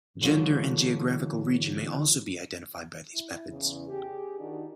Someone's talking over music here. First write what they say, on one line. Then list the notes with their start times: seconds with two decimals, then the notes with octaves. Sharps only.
Gender and geographical region may also be identified by these methods.
0.22 D3 E3 F#3 G#3 F4
3.13 E4
3.49 E2 C#3
3.89 G4 G#4
4.39 D#3 D4 D#4 F4 F#4 D5